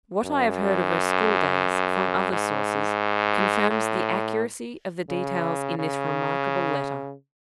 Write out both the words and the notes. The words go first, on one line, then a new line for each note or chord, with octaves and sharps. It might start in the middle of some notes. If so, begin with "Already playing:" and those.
What I have heard of her school days from other sources, confirms the accuracy of the details in this remarkable letter.
F#2
G#2
A2
C#3
C#3